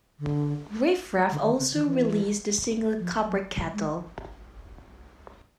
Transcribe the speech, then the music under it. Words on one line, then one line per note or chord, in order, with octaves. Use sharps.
Riff Raff also released the single "Copper Kettle".
D3
D3
D#3
C#3
D#3
E3
F3
F#3
G3
G#3